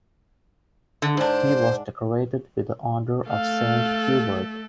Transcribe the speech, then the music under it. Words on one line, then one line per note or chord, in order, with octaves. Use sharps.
He was decorated with the Order of Saint Hubert.
D3
G#2 D4 C5
A3 A4 F5